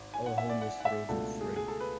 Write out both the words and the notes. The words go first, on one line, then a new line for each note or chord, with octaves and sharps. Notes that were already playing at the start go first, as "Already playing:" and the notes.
Our home is rodent free.
Already playing: G#1
G#5
F#5
E5
D5
F#5
F#5
E5
C#2 B2 A3 D4 A4
G#4
G#4
A4
B4